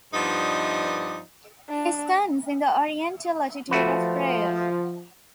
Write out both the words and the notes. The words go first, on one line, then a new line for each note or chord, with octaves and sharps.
He stands in the Oriental attitude of prayer.
G2 F3 B3 D#4 D5 D#5
D4
F3 A3 F#4 B4